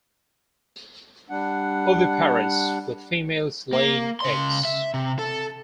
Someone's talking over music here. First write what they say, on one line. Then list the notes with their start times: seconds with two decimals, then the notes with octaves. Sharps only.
Oviparous, with females laying eggs.
1.30 G3 D4 F#5
3.73 A#3
4.20 C#3 C6
4.65 E5
4.94 C3
5.19 A4